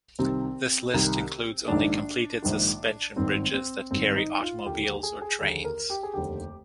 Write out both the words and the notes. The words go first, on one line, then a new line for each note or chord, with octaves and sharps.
This list includes only completed suspension bridges that carry automobiles or trains.
C2 C3 D#3 C4
C2 C3 D#3
A#1 G#2 D#3 D4
A#1 G#2 D#3
G#1 G2 D#3 C4
C4
G#1 G2 D#3 C4
D#4
F4
D#2 D3 G4
G4
G#4
G#4
D#2 D3 G#4
A#4
G4
G#4
F1 D#2 D3 G4